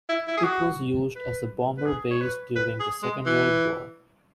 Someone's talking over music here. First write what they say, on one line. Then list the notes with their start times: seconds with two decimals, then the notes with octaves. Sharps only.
It was used as a bomber base during the Second World War.
0.09 E4
0.28 E4
0.37 G#4
0.44 F#4
1.15 B4
1.77 B4
1.85 G#4
2.11 C#5
2.21 B4
2.56 B4
2.80 G#4
3.03 G#3
3.26 E3